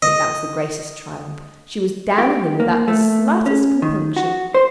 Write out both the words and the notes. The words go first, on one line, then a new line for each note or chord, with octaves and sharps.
I think that was the greatest triumph. She was down on him without the slightest compunction.
D#5
G4
A#3
A3
C#4
D#3
F#4
C5